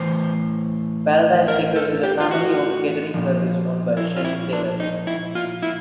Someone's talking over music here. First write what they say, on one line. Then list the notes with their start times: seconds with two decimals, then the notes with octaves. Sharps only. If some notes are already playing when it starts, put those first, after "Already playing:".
Paradise Acres is a family owned catering service owned by Shane Taylor.
Already playing: A2 E3 C5
1.48 A#4
1.76 A4
2.03 G4
2.20 F4
2.31 F#4
3.14 A#2 F3
3.97 E4
4.17 F4
4.25 E4
4.53 D4
4.80 D#4
5.07 E4
5.35 F4
5.62 E4